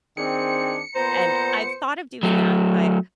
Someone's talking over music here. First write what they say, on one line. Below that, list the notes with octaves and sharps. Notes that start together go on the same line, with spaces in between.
and I've thought of doing that, but,
D#3 C4 D4 G#4 C#7
A#2 B3 C5 A#5
F#3 A3